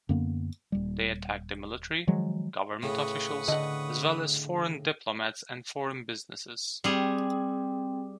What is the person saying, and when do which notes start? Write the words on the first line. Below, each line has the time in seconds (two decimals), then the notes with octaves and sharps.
They attacked the military, government officials, as well as foreign diplomats and foreign businesses.
0.09 F#2 D3 A#3 B3
0.72 D#1 G3
2.07 D#3 F3 F#3 G#3
2.83 A2 C#3 B4 C#6 D#6
3.48 D3 D#5 F#5
6.84 G3 C4 G#4 G5